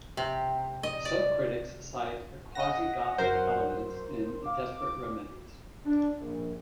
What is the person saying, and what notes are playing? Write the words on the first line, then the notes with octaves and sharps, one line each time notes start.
Some critics cite "quasi-gothic" elements in "Desperate Remedies".
C3
D#5
D5
D#5 F#5 A#6
F#2 A#4 C5
F5 D6
D4
A#1